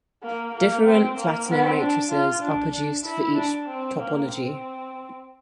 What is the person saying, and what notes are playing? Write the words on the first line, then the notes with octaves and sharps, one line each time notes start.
Different flattening matrices are produced for each topology.
A#3
A#3
C4
A#3
C4
D4
F4
D4
D4
E4
D4
C4
A#3
C4